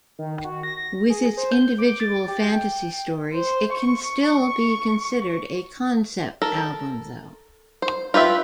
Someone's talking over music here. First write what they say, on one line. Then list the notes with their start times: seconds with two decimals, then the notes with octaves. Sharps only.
With its individual fantasy stories, it can still be considered a concept album, though.
0.19 D#3
0.44 F#4
0.63 A#6
1.10 G#4
1.37 C5
1.52 G6
1.78 D6
2.00 A6
2.28 G4
2.42 G5
3.34 C5
3.75 C#6
6.42 A4 A#4
7.82 C5
8.14 F4 G4 B4 E5